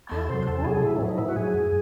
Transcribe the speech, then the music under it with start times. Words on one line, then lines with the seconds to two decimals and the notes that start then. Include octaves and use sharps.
Oh, cool!
0.11 E2 A4
0.29 C3 F#3 C5
0.47 E2 A4
0.64 C3 F#3 G#4
0.83 A2 E4
1.01 F#3
1.09 D#4
1.18 A2 E4
1.29 F#4
1.36 F#3 G#4
1.54 F#2